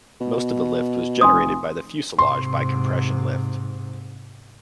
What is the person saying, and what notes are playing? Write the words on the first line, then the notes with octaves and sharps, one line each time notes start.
Most of the lift was generated by the fuselage by compression lift.
B2
F1 G#5 C6 D#6
G#2 C3 C6